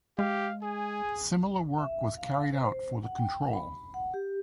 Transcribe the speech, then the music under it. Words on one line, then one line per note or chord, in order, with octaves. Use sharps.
Similar work was carried out for the control.
G#3 G4 F5
G#4 G#5
E5
F5
C5
F#5
G5
B5
F#5
G4